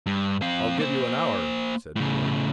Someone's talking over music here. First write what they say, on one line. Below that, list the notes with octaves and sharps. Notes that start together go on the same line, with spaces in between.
"I'll give you an hour," said Borg.
G2
C4 F5
A#3 C5
A2 C#3